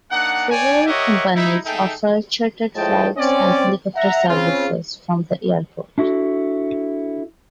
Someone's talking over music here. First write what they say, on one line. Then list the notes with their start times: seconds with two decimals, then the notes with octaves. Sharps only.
Several companies offer chartered flights and helicopter services from the airport.
0.11 A#3 D4 D#4 F#5
0.50 C#5 D5 G5 G#5
0.87 G4 A#4 C#5 D#5 E5 F#5
1.35 D#4 E4
1.66 D#4 G#4 A4 E5 G5
2.75 A2 F3 G#3 D#5 G5 A5
3.17 C4 C#4 D5
3.96 E5 F#5 A#5
4.28 C#3 C4 F4
5.98 D4 E4 F#4 A4